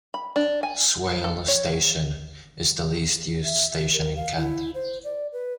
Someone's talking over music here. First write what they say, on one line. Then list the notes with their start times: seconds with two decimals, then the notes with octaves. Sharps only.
Swale Station is the least used station in Kent.
0.14 B5
0.36 D4
0.63 G#5
1.24 A4
1.48 C#5
3.44 E5
3.78 G4
3.93 A#4
4.16 F5
4.37 E4
4.74 C5
5.04 D5
5.33 B4